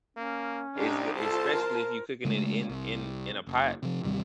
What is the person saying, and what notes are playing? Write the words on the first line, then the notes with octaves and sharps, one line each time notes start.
it's g especially if you cooking it in in in a pot,
A#3 C#4
C2 D4 D#4 G4
F4 A4 C5 A5
A#4
C#3 G#3 A3
C2
F#1
C3 F3
A1 D#2 C3 G3